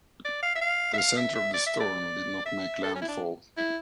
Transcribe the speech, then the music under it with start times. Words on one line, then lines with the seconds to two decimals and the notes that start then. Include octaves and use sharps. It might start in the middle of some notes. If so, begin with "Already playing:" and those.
The center of the storm did not make landfall.
0.25 D5
0.42 F5
0.55 E5
0.61 F5
0.93 E5
0.97 F5
1.17 E5
1.35 E5
1.54 D5
1.66 E5
1.80 D5
2.45 E5
2.83 A4
2.95 C#4
3.01 E4
3.08 D4
3.57 E4